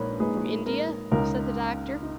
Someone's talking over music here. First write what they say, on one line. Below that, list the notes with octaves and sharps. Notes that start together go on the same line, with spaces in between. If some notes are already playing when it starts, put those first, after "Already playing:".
'From India?' said the Doctor.
Already playing: A#1 A#2 G#3 D#4 A#4 B4 C#5
A#1 A#2 G#3 D#4 G#4 B4
A#4
C#2 C#3 G#3 D#4 A#4
D#4